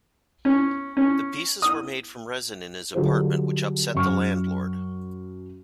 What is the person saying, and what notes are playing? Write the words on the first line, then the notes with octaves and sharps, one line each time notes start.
The pieces were made from resin in his apartment which upset the landlord.
C#4
C#4
D#6
D3 F#3 G3 F4 G#4 C5
F#2 C#6 F6